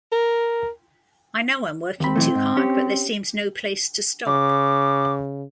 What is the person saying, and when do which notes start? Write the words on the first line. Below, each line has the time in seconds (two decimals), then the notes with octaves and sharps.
I know I'm working too hard but there seems no place to stop.
0.12 A#4
2.00 D#2 C4 B5
2.16 B1 E3 A3
2.35 G#2
2.57 C#4 G4
4.27 C#3 D6